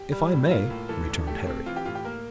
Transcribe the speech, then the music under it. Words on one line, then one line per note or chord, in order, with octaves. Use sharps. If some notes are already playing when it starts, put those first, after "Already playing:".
"If I may," returned Harry.
Already playing: G4
G3
A2
E4
A#3 F4
A2
E3 A4
E2
A3 G4
C4
E3 F4
G4
A2 F4
G4
A#3 A#4